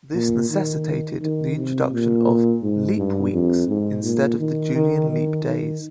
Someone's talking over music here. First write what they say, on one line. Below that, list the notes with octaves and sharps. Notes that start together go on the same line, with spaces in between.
This necessitated the introduction of "leap weeks" instead of the Julian leap days.
A#2
D#3
D#3
C3
A#2
G#2
G2
F2
G#2
A#2
D#3
D#3
D#3
D#3